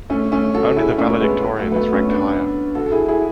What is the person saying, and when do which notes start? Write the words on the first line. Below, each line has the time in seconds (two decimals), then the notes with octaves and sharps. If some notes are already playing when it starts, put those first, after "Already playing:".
Only the valedictorian is ranked higher.
0.10 A3 C#4
0.32 A3 C#4
0.54 F#4 A4
0.77 E4 G#4
0.98 A3 C#4
1.20 G#3 B3
1.59 F#3 A3
1.72 B3
1.76 F#3 A3
1.92 A3 C#4
2.09 B3 D4
2.75 F#4 A4
2.86 A4
2.92 E4 G#4
3.08 E4 G#4